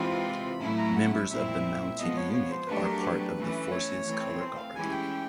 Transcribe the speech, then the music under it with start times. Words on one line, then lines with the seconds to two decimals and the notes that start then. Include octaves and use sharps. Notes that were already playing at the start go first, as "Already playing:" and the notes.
Members of the mounted unit are part of the Force's Colour Guard.
Already playing: C3 E3 G#3 C4 F4 B5
0.61 A2 F#3 A3 C#4 E4
0.77 A#5
0.95 F#5
1.13 E5
1.29 A#2 G3 C4 E4 E5
1.99 F3 G#3 B3 D#5
2.16 C#5
2.33 C#5
2.51 C5
2.67 F#3 A3 D4 G4 B4
2.84 A#4
3.02 B4
3.36 E3 A3 C#4
3.71 C#5
4.05 E3 A3 C4
4.40 C5
4.56 F5
4.74 E3 G#3 C#4 E4 G4 G#5
4.91 G5